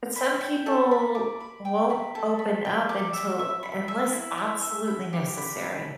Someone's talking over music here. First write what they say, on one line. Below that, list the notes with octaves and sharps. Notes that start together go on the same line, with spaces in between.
But some people won't open up until unless absolutely necessary
B5
G5
A4
B5
D6
B5
G5
B5
A4
B5
G5
D6
E5
E5
B5
E5
E4
E5
E5
B5
G4
B5
B5